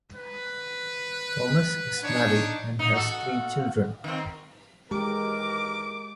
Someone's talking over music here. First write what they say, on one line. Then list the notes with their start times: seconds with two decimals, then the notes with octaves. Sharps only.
Thomas is married and has three children.
0.15 B4
2.03 D4 D#4 C#5
2.79 D#4
2.94 F#4 A4
4.04 D#3 C4
4.91 D#2 E3 G#3 G4 A#4 D6